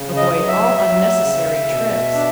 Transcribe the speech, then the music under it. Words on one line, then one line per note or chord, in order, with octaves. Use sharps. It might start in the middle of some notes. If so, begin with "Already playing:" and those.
Avoid all unnecessary trips.
Already playing: C#3
D#5
F#3
E5
F#3 E5
C#3
B2
D4